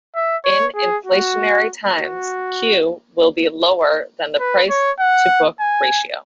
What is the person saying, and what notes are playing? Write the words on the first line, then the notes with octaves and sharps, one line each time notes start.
In inflationary times, Q will be lower than the price-to-book ratio.
E5
C#5
G#4
F#4
F#4
B4
C#5
F#5
G#5